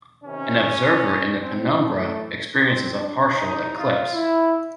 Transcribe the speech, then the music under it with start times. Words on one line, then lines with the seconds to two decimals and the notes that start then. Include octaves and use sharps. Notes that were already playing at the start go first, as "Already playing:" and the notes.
An observer in the penumbra experiences a partial eclipse.
0.22 C3 D#3 C#4
1.40 C4
1.80 A2 E3 A3
2.58 C4
2.96 D4
3.36 C3 E3 D#4
3.75 F4
4.14 E4